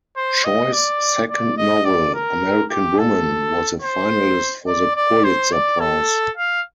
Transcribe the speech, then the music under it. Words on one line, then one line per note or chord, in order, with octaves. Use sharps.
Choi's second novel, "American Woman", was a finalist for the Pulitzer Prize.
C5
D#5
D5
D5
D#5
D5
A#4
G4
A4
C5
D5
D5
C5
D5
A4
F5